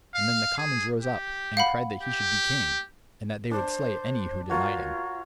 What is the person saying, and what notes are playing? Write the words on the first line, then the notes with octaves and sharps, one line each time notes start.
And then the commons rose up and cried that he should be king, and that they would slay any who denied him.
F5
G#4
G4
F5 F#5 B5
G4
D4 C5
F4 F#4 A#4 C#5